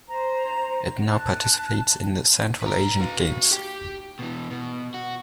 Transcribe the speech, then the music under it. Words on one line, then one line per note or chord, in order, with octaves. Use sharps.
It now participates in the Central Asian Games.
C5 A#5
A5 F#6
B4 A#5
F#4 F5
G4 G5
B2 E3
B2
F#4